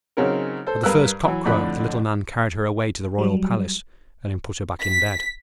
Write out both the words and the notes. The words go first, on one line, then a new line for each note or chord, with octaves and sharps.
At the first cock-crow, the Little Man carried her away to the royal palace, and put her back in bed.
C#3 F#3 C4 C#4 D#4 A#4
A4 C5
G2 A#4 B4 F5 E6 F#6
E3 F#3
F2 A2 D3 B5 F#6
F#3 G3
B6